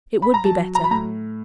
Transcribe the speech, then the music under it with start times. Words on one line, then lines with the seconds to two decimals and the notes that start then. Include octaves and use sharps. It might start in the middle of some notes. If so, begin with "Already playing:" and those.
It would be better.
0.22 B5
0.34 A#5
0.45 F#3 A5
0.75 A#5
0.84 B5
0.91 A2 A#5